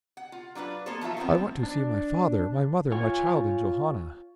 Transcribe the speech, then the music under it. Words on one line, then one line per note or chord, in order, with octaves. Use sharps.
I want to see my father, my mother, my child, in Johanna.
F#5
F4
F#3 D4 F4 B4
A#3 B3 A4 C5
F3 F#3 F4 E5
D#3 F3 G3 B3 C4
D4
F4 C#5 G#5